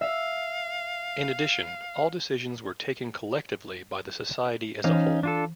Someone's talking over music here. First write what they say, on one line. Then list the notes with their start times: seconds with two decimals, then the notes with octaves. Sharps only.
In addition, all decisions were taken collectively by the Society as a whole.
0.01 E5 F5
4.84 E3 C#4 D#4 F5
5.23 D4 F4 A4